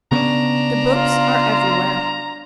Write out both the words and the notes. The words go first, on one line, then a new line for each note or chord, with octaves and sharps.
The books are everywhere.
C#3 B3 C#4 D4 A#5
F4